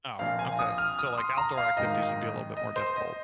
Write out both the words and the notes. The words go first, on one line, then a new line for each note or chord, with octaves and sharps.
Oh, okay, so, like outdoor activities would be a little bit more difficult.
A#1 A#2 F3 C4 F5
G#5
D#6
F6
D#6
C6
A#5
F5
G#1 G#2 D#3 D#5
D#5
C5
D#5